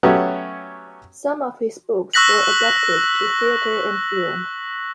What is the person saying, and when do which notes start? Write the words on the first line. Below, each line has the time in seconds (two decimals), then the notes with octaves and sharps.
Some of his books were adapted to theatre and film.
0.03 F#3 A3 B3 C#4 F#4 G4
2.13 C#6 E6 F#6 A#6 B6 F#7